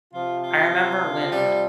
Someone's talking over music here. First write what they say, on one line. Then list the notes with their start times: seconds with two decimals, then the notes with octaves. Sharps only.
I remember when
0.13 C3 F3 F4
0.43 F4
1.32 G3